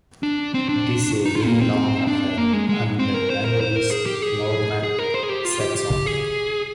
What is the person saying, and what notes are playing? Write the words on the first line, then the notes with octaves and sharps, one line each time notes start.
It is a very long affair, and the language is Norman-Saxon.
D4
C4
D4
D#4
F4
A#3
C4
D4
A#3
G#3
G#3
C4
A#4
C5
A#4
C5
A#4
G#4
G4
G#4
G#4
A#4
C5
G#4
G4
F4
G4
G4
G#4